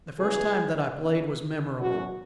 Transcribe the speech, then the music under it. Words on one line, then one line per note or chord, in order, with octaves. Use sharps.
The first time that I played was memorable.
C#3 E3 G#3 B3 G#4
C#3 E3 B3 D4
E2 B2 F#3 C#4 F#4